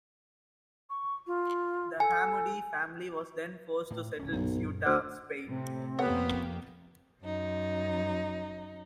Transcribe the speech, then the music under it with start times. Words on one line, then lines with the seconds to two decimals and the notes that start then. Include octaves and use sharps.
The Hammudi family was then forced to settle in Ceuta, Spain.
0.90 C#6
1.27 F4
2.00 A4 G#5
3.91 A2
4.19 D1 C#4
4.32 B1 F#2 A#2
4.86 D2 C5 F6
5.47 A2 C3 C4
5.99 F2 A#3 B3 G4 A4 C#5 F#5
7.22 F#2 D#4